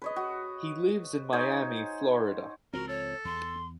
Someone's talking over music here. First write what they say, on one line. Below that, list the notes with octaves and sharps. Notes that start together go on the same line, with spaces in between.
He lives in Miami, Florida.
B4 C#5 D#5
F#4
D#4 C5 C#5 G#5
C#2 F3 C4 F#4 A#4
A4 C#5
E2 C6